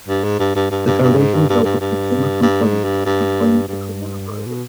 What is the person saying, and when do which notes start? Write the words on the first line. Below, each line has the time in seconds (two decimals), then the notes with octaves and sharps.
The Foundation deals with consumer complains and complains between entreprises.
0.09 G2
0.24 G#2
0.39 G2
0.56 G2
0.71 G2
0.86 G2
1.02 G2
1.18 G#2
1.34 G2
1.50 G2
1.64 G2
1.81 G2
2.42 G2
2.63 G#2
2.84 G2
3.06 G2
3.68 G2
4.30 G#2
4.46 B2